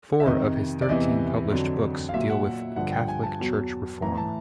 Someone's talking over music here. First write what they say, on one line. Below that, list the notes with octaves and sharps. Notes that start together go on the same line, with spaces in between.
Four of his thirteen published books deal with Catholic Church reform.
E5
F2 C3 D#3 D#5
D5
E2 C3 E3 D#5
F2 D3 F#3
F5
A#2 F#3 E5
F#5
G2 D3 F3 F#5
G5
G#5
A5
E2 B2 F#3
A2 E3 A#5
A5